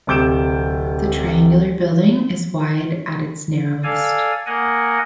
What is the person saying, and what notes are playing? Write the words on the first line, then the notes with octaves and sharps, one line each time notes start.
The triangular building is wide at its narrowest.
D1 C3 D6 G6 D7 E7
A4 D5 F5 G#5
A#3 A#4 D#5 F#5 G#5